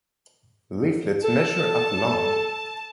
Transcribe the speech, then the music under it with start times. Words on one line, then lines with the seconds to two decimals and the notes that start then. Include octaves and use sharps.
Leaflets measure up long.
1.24 A4 A5